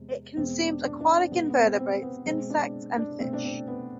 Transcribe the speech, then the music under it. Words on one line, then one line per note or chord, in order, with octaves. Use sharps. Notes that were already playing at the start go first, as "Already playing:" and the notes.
It consumes aquatic invertebrates, insects, and fish.
Already playing: E2 C3 G#3
E2 B2 G#3 C4
D4
D4
D4
C4
B2 G#3 B3
B3
C4
C4
B3
B2 G#3 C4
D4
D4
B2 A3 C4
D4
C4
B3